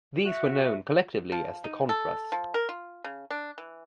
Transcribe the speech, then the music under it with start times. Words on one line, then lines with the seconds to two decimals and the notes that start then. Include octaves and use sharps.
These were known collectively as the Contras.
0.24 F#4 E5
1.32 F3
1.64 D#4
1.89 A4
2.32 F3
2.54 A#4
2.69 F4
3.04 C#3
3.30 D4
3.58 E3